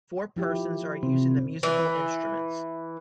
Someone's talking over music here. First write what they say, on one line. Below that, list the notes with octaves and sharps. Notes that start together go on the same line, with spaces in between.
Four persons are using the musical instruments.
F3 E4 G4
C3 C4
E3